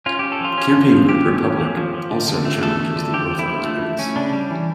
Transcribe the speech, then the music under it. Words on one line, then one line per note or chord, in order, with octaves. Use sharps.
Campaign group 'Republic' also challenges the oath of allegiance.
C#4 F4
C#4 G4
A4
F3 F4
C#4
F3
F3
F3 G4
C#4
C#4
F3
F3
F3
D3
D3
A3
A3 A4
A3
D3
F3 G4
F3
E4
F3
A3
A3
C#4
C#3 D4
G3
E3